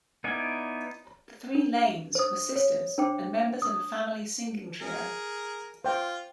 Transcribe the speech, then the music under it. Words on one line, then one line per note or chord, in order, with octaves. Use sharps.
The three Lanes were sisters and members of a family singing trio.
B3 D#4 E4 D5 G#5
D4
C5 D#6
C#5
D4 C5 G5 D6
D#6
G#4 A#4
F4 C5 G5